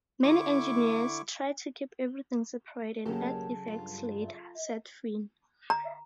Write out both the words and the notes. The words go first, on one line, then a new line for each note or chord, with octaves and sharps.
"Many engineers try to keep everything separate and add effects later," said Finn.
D3 E4 C#6 D6
E1 C#3 F#3 A#3 C#4 G4 A4
G2 F4
A#5